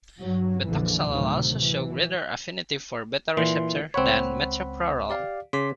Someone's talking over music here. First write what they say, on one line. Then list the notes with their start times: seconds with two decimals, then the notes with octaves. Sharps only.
Betaxolol also shows greater affininty for beta receptors than metoprolol.
0.18 G2 F#3
0.66 A#1 F2 D3 E3
1.07 D2 A2 C3 D#3 F#3
1.58 E3
3.37 A#2 E3 C6
3.94 C#2 C4 C#5 F#5 B5
5.10 G4 D5 F5
5.53 C#3 C6 D6 B6